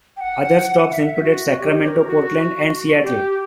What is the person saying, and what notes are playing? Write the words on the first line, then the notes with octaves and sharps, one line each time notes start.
Other stops included Sacramento, Portland, and Seattle.
G5
F#5
F#5
E5
F#4
G4
C#5
A#4
F#4
G4